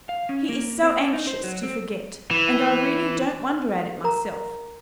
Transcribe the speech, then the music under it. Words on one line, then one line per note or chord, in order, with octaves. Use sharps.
He is so anxious to forget, and I really don't wonder at it myself.
F5
C#4
A#3
C4
D4
D#4
C5
F#3
C4
E3
A#4 A#5